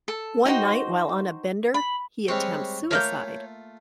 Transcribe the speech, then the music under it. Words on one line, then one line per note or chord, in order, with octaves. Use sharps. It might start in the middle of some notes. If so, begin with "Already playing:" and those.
One night while on a bender, he attempts suicide.
A4
D#4 F#4 C5 G5
B5
G3 G#3 C4 C#5
A3 A#3 F4 A#4 C#5 F5 F#6 G6